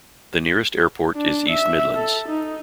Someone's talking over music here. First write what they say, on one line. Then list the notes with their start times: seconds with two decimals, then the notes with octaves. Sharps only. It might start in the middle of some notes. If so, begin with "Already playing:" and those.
The nearest airport is East Midlands.
1.15 D4
1.50 E5
1.96 A4
2.29 D#4